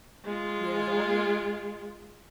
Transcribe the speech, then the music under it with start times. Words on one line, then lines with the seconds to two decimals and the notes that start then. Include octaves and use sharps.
Yeah the only
0.25 G#3 F4